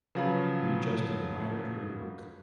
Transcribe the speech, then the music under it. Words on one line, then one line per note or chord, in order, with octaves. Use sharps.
We just admired her work.
C#3 F3 F#3 B4 F5 B5